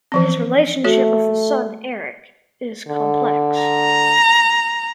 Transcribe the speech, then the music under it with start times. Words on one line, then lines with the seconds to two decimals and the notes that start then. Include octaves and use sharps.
His relationship with his son Eric is complex.
0.12 E3 F3 C4
0.84 A3 F#4 A4 C#5
2.88 D3
3.60 A#5